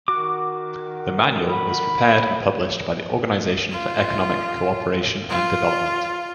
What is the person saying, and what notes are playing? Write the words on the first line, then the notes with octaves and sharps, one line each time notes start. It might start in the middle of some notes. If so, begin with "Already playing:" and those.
The Manual was prepared and published by the Organisation for Economic Co-operation and Development.
D#3 F#4 D6
B5
F4
F4